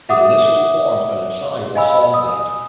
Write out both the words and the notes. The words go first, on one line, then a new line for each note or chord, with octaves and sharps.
It initially forms an insoluble solvate.
E5 F#5 D6 D#6
D#5 F5 G#5 B5 E6
D#6